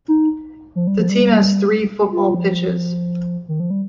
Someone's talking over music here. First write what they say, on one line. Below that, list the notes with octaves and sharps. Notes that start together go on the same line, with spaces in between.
The team has three football pitches.
D#4
F3
G3
F3
G3
F4
F3
D#3
F3
G3